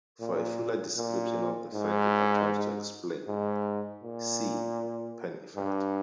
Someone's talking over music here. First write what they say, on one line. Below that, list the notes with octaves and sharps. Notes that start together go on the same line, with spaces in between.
For a fuller description of the fact it attempts to explain see: Penn effect.
A#2
A#2
G#2
G#2
A#2
G2